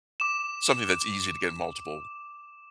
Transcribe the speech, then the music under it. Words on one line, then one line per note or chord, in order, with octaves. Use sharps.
Something that's easy to get multiple,
D6 E7